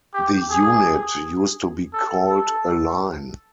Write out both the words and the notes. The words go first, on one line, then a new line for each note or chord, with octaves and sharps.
The unit used to be called a "line".
G4
G#4
A4
A4